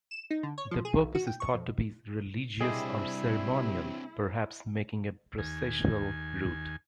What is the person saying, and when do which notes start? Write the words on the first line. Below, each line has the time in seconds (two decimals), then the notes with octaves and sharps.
Their purpose is thought to be religious or ceremonial perhaps marking a processual route.
0.11 E7
0.31 D#4
0.43 D3
0.58 C#5
0.71 F3
0.85 G#4
0.98 B1
1.15 F#4
1.27 G5
1.40 C#6
1.54 F2
2.61 C3 G3 C4 D4 E4 G#4 D#5
5.38 D#2 G#5